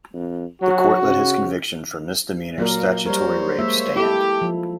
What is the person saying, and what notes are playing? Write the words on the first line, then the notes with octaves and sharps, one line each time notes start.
The court let his conviction for misdemeanor statutory rape stand.
F2
F#3 F#4
C#3
A#2 F#3 A#3 A#4
G3 A#4 C5 C#5
G#3 A#3 E5
E4 G4 A4
F3